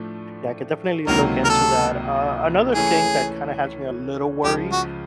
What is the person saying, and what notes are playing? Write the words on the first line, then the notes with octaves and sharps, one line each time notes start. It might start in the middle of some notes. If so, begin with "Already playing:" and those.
Yeah, I could definitely look into that. Uh, another thing that kinda has me a little worried
Already playing: A2 F3 A3 D4
C#2 C3 D#3 F#3 A#3 A#4
A#4
A4
E3 A3 C#4 G#4
C#2 C#3 F3 G4
F#4